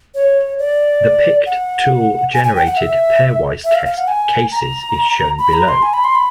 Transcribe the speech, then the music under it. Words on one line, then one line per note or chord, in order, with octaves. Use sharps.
The pict tool generated pairwise test cases is shown below.
C#5
D5
F#5
G#5
G#5
G5
F#5
E5
E5
F5
F5
F#5
G#5
A#5
B5
A#5
C6
G#5
B5
C6
B5